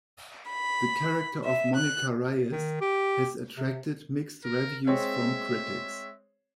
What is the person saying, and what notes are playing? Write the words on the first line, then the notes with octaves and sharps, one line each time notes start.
The character of Monica Reyes has attracted mixed reviews from critics.
B5
E5
F#6
D#3
G4
C3
A#4
G#3 C4 C#5 E5